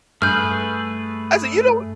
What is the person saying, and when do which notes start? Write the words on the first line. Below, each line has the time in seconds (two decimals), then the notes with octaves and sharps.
said, "You don't"
0.22 G2 A3 G#4 B4 F6 G6